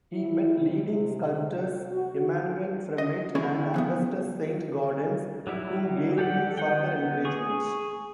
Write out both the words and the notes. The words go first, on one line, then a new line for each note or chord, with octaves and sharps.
He met leading sculptors Emmanuel Fremiet and Augustus Saint-Gaudens, who gave him further encouragement.
E4
C3
F#4
D#5
E2 D3 C#4 E4 G#4 D5
F3 B3
F#3 G3 E4
G4 A4 D5 F#5
B3 F#5 G5
G#4 C#6